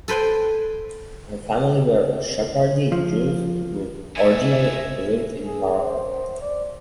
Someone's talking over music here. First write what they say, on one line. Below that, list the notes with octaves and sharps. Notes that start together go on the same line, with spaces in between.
Her family were Sephardi Jews who originally lived in Morocco.
A4 B4 C5 G5 G#5
F3
B2 A3 E5 G#5
G#4
C5
D5